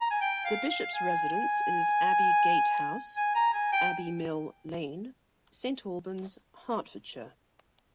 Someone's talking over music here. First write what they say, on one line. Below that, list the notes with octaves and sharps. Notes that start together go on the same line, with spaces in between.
The Bishop's residence is Abbey Gate House, Abbey Mill Lane, Saint Albans, Hertfordshire.
A#5
G#5
G5
F5
F5
G#5
G#5
G#5
A#5
G#5
G5